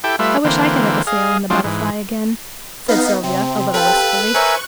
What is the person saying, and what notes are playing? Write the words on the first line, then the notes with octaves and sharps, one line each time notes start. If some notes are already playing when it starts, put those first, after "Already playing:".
"I wish I could have a sail in the Butterfly again," said Sylvia, a little wistfully.
E4 G4 A4 G5
G3 A3 F4 B4 E5
D3 E3 A#3 C4
G#4 D#5 F5
F3 F#3 G#3 C4 D4 F4
G#2 E3
B3 D#4 F5
C3 C4
G4 A4 B4 F5
A#4 C5 C#5 E5 G#5 C#6 F#6